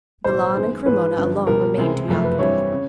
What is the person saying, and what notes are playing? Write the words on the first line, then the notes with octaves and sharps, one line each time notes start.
Milan and Cremona alone remained to be occupied.
B1 A2 E3 G3 C5
F#2 D#3 G#3 B3
G#2 E3 G#3 B4
G1 F#2 D3 F3
C#2 B2 G3 A#4
C#2 C3 E3 G#3 C4
F#1 F2 C3 F3 A3
B4
G2 E3 G3 C4 E4 C#5
C#3